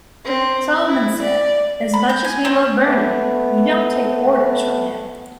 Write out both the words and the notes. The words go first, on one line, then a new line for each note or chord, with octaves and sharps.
Solomon said, As much as we love Bernie, we don't take orders from him.
C4
E4
D5
B5
G6
G#5
C4
A3 B3